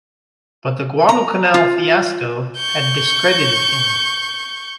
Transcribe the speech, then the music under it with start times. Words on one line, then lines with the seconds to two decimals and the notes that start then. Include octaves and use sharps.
But the Guadalcanal fiasco had discredited him.
1.09 A#5
1.54 F4
2.57 C#6 G6